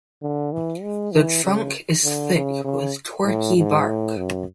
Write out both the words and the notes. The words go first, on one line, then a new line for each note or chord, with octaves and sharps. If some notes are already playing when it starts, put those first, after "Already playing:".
The trunk is thick with corky bark.
D3
E3
G#3
E3
C#3
D3
C#3
C#3
A2
G#2
A2
F#2